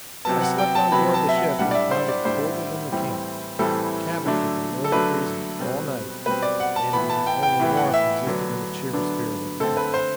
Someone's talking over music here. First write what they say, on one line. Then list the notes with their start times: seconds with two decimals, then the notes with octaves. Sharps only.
I slept on board the ship and found it colder than the camp--the cabins were below freezing all night and the only warmth existed in the cheery spirit of the company.
0.25 C3 F#3 B3 A5
0.42 F#5
0.58 G5
0.75 A5
0.92 C3 F#3 B3 B5
1.14 A5
1.29 E5
1.37 F#5
1.58 A2 G3 D4 F#5
1.71 D5
1.75 E5
1.91 C5
2.09 D5
2.25 A2 G3 D4 C5
2.92 A2 E3 G3 C4
3.59 A2 E3 G3 C4 A4
4.26 D3 F#3 A3 D4
4.84 A4
4.92 D3 F#3 A3 D4 B4
5.59 B2 G3 C4
6.26 B2 G3 C4 B4
6.42 D5
6.60 F#5
6.76 A5
6.93 A2 E3 B3 B5
7.10 A5
7.26 G5
7.43 G5
7.60 A2 E3 B3
7.77 F#5
7.94 E5
8.27 D3 F#3 B3 D4
8.93 D3 F#3 B3 D4
9.60 D3 A3 C4 A4
9.77 B4
9.94 C5